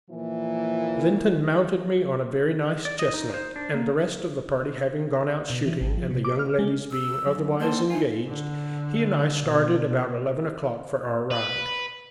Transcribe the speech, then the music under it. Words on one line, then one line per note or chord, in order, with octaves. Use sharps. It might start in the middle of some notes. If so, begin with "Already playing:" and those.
Lynton mounted me on a very nice chestnut, and the rest of the party having gone out shooting, and the young ladies being otherwise engaged, he and I started about eleven o'clock for our ride.
A#2 E3 F3 A#3 E4
D5
D#5
D#4
C5
D4
A#3
B2
E3
G#1
F3
C3
D6
F6
G#3
E6
F#2
A#3 A4 C5
D#4 F4 G#5
D3
B2
B4